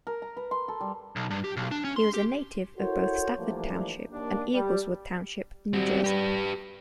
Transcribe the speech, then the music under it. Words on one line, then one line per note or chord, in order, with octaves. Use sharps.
He was a native of both Stafford Township and Eagleswood Township, New Jersey.
A#4
A#5
B4
C6
A4
G3
B1
G2
G4
B1
D4
C#4
C6
G4
E4 F#4 A4 A#4 C5 C#5
E3 F3 G3 A3 A#3 D4
D#2 A#3 D4
G3
G3 C4 F#4
G4 B4